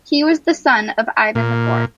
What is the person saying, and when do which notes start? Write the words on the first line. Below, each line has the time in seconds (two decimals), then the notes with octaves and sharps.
He was the son of Ivan IV.
1.35 A#2